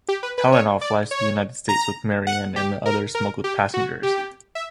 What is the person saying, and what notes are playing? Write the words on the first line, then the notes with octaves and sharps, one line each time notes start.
Palinov flies to the United States with Marianne and the other smuggled passengers.
G4
B4
B4
C#5
D5
C#5
A#5
F#5
G4
A#4
A#4
G4
F#4
G4
E5